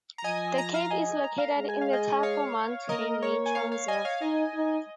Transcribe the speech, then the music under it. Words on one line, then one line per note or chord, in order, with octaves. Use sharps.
The cave is located in the Tapir Mountain Nature Reserve.
A#5
F3 D#5 G#5
A#5
F5 A#5
A#5
D#5 G#5
A#5
F5 A#5
G#3 A#5
G#5
F5
D#5 G#5
C#5 F5
A#3 A#4 D#5
C#5
G#5
C#5 F5
C#5 F5
D#5 G#5
C#5 F5
D#4 D#5 G#5
D#4